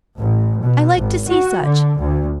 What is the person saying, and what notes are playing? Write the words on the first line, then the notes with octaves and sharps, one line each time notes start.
I like to see such.
A1
B2
G#1
F#4
D3
D2